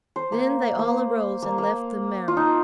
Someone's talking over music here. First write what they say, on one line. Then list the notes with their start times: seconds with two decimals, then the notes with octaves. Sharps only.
Then they all arose and left the marah.
0.16 C5
0.32 A#3
0.79 A#3
1.42 A#3
1.58 A#3
2.28 F4
2.37 D#4